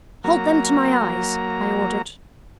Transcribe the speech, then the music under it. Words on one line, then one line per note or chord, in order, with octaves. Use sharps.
"Hold them to my eyes," I ordered.
F#3 A#3 A#5